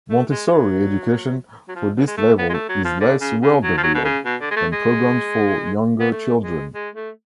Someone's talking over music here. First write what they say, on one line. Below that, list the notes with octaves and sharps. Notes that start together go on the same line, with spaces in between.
Montessori education for this level is less well-developed than programs for younger children.
A3
G#3
G#3
F#3
F#3
F3
B2
G#3
A3
B3
G#3
A3
F#3
F3
D3
C#3
C#3
F#3
F3
F#3
B2
C#3
B2
D3
G#3
A3
G#3
B3
A3
G#3
G#3
A3